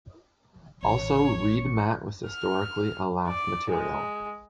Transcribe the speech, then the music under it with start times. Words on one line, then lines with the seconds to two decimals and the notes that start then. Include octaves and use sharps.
Also reed mat was historically a lath material.
0.83 A1 C#4 C#5
1.29 C#6
2.27 F6
3.28 D5
3.70 G#3